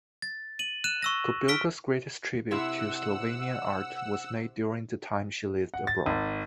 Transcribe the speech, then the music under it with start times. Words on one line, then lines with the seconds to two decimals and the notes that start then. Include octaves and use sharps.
Kobilca's greatest tribute to Slovenian art was made during the time she lived abroad.
0.22 A6
0.59 D#7 F#7
0.84 F#6 D#7 E7
1.02 C#6 E6 A#6
1.48 F6 B6 D7 G7
2.51 C3 E4 E5 F#5 E6
5.74 F#5
5.87 A6
6.06 G#1